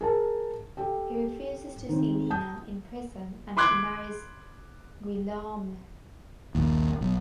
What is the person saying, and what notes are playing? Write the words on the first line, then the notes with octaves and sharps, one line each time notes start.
He refuses to see Lina in prison and she marries Guillaume.
G#4 A#4 A5
G4 A4 G5
D#3 C4
A5 D#6 G6
B5 C6 D6 F#6 G#6
A#1 D#2
B1